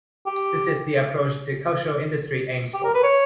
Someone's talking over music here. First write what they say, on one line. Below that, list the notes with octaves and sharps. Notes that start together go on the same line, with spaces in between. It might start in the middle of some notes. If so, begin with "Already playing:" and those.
This is the approach the cultural industry aims for.
G4
G4
A#4
B4
C#5